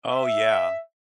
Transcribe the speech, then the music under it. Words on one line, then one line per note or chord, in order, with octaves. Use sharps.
Oh, yeah.
E5